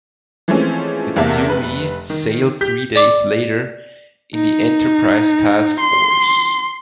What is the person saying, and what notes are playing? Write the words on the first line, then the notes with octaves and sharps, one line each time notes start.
The "Dewey" sailed three days later in the "Enterprise" task force.
E3 F3 G#3 A3 C4 C#4
E2 C3 A#3 A#4 E5 A5
F1 B4
D#3
G4 G6 B6
D5 D6
D#4
C6